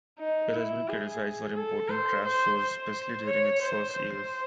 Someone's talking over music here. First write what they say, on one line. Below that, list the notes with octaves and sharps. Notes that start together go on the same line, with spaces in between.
It has been criticized for importing "trash shows", especially during its first years.
D#4
E4
G#4
A4
C5
C5
C5
C#5
C5
C5